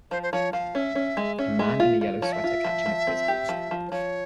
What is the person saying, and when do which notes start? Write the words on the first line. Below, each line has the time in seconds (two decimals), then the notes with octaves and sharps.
A man in a yellow sweater catching a Frisbee.
0.11 F3 C5
0.23 C5
0.33 F3 C#5
0.53 F3 F5
0.75 C#4 E5
0.95 C#4
1.17 G#3
1.39 C#4 E5
1.59 G#3
1.80 F4
2.01 F4
2.21 F3 C#5
2.32 E5
2.44 F4
2.64 F3
2.86 F3
3.07 C4
3.28 G4
3.49 F3
3.71 F3
3.88 C5
3.91 F3 C#5